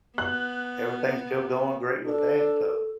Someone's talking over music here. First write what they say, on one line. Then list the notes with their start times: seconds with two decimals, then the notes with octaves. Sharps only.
everything's still going great with that so
0.18 B3 F#6
2.06 D4 A4